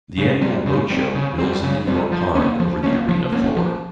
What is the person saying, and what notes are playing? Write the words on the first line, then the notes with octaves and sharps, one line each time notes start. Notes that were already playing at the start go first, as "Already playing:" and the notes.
The annual Boat Show builds an indoor pond over the arena floor.
C#3
G3 C4
C#3
G3 C4
C#3
G3 C4
C#3
G3 C4
F3
A#3 C#4
F3
A#3 C#4
F3
A#3 C#4
F3